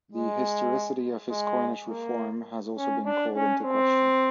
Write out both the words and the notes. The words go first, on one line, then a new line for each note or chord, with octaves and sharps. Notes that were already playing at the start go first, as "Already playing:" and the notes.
The historicity of his coinage reform has also been called into question.
G#3
G#3
A#3
C#4
D4
C#4
C4